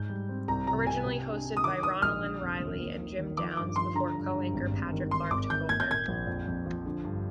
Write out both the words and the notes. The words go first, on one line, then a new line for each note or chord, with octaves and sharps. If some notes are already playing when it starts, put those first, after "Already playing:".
Originally hosted by Ronilyn Reilly and Jim Downs before co-anchor Patrick Clark took over.
Already playing: G#2 G6
G3
C4
C2 A#5
C3 A#5
C3 G#5
C3
D4
D4
D#6
D#3 D6
D#3 D#6
A#1 F6
D3
F1
D#2
A#3
D#3
D#3
F3 D6
G2 D6
F3 C6
D3 A#5
G2
G2
G#1
G#1
D#3
D#3 C6
G#1 D6
D#3 G6
A#3 G#6
G6
A#2 G#6
A#1
F2
F2
F3
D3
G2